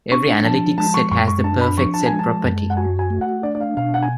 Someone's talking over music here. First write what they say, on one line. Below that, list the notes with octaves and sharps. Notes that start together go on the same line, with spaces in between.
Every analytic set has the perfect set property.
D4 C#6
F3 A5
G#3 A5
C#6
F#2 C#6
C#6
D4 A5
B5
F3 C#6
A5
G#3 G#5
A5
F#2
F#5
F#4 G#5
G#5
A3
F#5
D4 D5
D5
F5
B2 F5
F#5
G#5